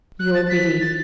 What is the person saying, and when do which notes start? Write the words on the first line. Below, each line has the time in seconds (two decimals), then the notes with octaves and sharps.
Your BIDDY.'
0.20 F#6
0.35 A6
0.45 A6
0.50 B6
0.81 A6